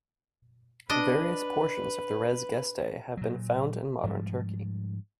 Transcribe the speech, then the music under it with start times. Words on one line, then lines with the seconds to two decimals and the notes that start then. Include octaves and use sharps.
Various portions of the "Res Gestae" have been found in modern Turkey.
0.90 D4 B4 D#5
3.17 A#2 F#3
4.04 G#2 F3 G3